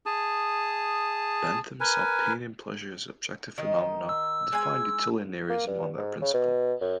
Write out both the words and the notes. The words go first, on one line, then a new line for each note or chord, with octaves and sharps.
Bentham saw pain and pleasure as objective phenomena, and defined utilitarianism on that principle.
G#4 A5 D#6
A#4 B4 G#5
D#3 D#5
E6
G#3 G#5
A#3
G2
G#2
C#3
B2
F#2